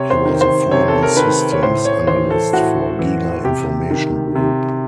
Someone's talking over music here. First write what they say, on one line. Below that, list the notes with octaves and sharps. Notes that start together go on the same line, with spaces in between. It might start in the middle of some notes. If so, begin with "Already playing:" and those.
He was a former systems analyst for Giga Information Group.
Already playing: C3 C#5
C5
D#3
C5
C3 C#5
A4
A#4
D#3 B4
C#5
A2 C5
C#5
E3 C5
A4
A2 F#4
E3
C3 G4
D#3
C3